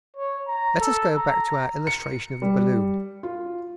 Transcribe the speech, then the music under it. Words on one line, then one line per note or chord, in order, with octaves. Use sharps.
Let us go back to our illustration of the balloon.
C#5
A#5
A4
A#5
C#7
G3
F4